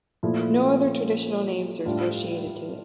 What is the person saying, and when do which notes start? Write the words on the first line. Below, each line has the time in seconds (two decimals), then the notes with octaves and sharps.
No other traditional names are associated to it.
0.23 A#2 F3 A3 E4
1.85 A2 G3 D4 F4